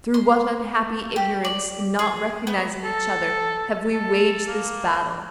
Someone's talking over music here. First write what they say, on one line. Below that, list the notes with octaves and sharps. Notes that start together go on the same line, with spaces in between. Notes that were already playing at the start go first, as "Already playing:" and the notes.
Through what unhappy ignorance in not recognising each other have we waged this battle!
C6
G4
D5
G#4
B3
A4
A4
A#3